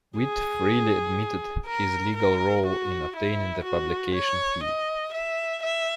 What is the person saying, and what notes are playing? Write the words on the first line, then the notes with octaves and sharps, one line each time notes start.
Witt freely admitted his legal role in obtaining the publication fee.
G#4
A#4
A#4
F#4
E4
F#4
C#5
D#5
E5
E5